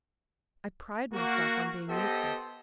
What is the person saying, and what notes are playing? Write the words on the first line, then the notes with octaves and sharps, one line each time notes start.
I pride myself on being useful.
A#3 F#4
B3 G4 A4 C5 D#5 G5